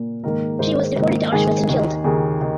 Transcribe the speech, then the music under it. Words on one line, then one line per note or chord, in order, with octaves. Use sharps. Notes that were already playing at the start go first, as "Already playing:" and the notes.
She was deported to Auschwitz and killed.
Already playing: A#2 A#3
G#2 D#3 A#3 A#4
G#2 D#3 A#3 C5
G#2 D#3 A#3
G#2 D#3 A#3 G#4
D#2 D#3 A#3
D#2 D#3 A#3 G#4
D#3